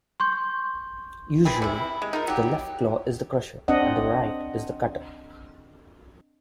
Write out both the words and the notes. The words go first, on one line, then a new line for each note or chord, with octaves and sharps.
Usually, the left claw is the crusher, and the right is the cutter.
C6 C#6 G6
E3 C4 G#4
C3 E4
G#3
D#4 F4 A#4
F#3 G4
C4 D4 D#5 F#5